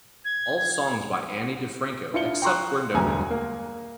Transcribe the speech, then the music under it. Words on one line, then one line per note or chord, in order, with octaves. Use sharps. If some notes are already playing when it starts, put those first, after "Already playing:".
All songs by Ani DiFranco, except where noted.
G#6
D4 E4 F4 C#7 G7
G5 A#5 C6 C#6 F#6
E1 D2 G2 G#5 A#5
A#3